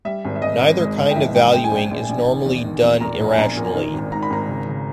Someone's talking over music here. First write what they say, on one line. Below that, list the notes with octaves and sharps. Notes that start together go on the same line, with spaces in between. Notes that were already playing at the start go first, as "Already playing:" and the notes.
Neither kind of valuing is normally done irrationally.
G3 E5
G#1
E5
G#1 D#5
G#1
G#3
G1
G5
E3 E5
G#3 G5
G#3 G5
G#5
A#1 G5
A#1
A#1
D#3
E2
D#3
E2
A#2 A#5
A#1
G#5
A#1 A#5
A#2
D#3
G#1
G#2 A#5
B5
G#1 A#5
C#3
C#3